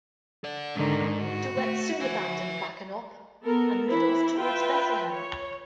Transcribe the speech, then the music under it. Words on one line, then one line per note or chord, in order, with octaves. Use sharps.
De Wet soon abandoned Bakenkop and made off towards Bethlehem.
A4 D5
G#2 D3 D#3
F#4
A3
E5 G#5
B3 A4 A#4
E3 E4 B5
F4 B4 E5 G5
C#5